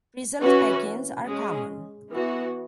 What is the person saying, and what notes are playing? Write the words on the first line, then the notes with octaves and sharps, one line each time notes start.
Frizzled Pekins are common.
E3 C#4 F#4 B4
G#3 C#4 G#4
E3 B3 F#4